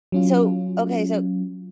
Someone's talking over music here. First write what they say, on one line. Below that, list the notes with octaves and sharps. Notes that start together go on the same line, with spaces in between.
So, okay, so,
F#3 C#4 F4